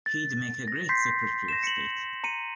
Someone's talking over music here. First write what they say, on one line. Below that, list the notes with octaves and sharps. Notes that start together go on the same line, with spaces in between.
He'd make a great Secretary of State.
A6
A#6
C6 G6 B6 C7
A#6 E7
C#7 F#7
A#5 C#7 D#7